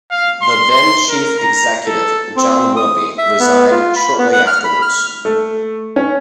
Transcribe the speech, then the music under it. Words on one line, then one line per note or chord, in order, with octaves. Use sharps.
The then-chief executive, John Wilby, resigned shortly afterwards.
F5
C6
C6
A#4
A#5
A4
C4
D#6
E5
B3
F4
B5
B3
F#5
F6
B5
F6
A3
C#4